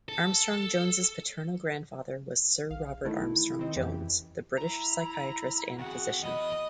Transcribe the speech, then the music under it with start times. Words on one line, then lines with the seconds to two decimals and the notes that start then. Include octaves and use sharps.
Armstrong-Jones's paternal grandfather was Sir Robert Armstrong-Jones, the British psychiatrist and physician.
0.08 A4
2.71 A#1 F5
3.05 D3 D#3 A3 E4
3.59 D#3 C4 D#4
3.76 F2 C#3 E3 G4
4.58 E4 A#5
5.79 F2 F#4 G#4 F#5
6.23 E2 D#5 B5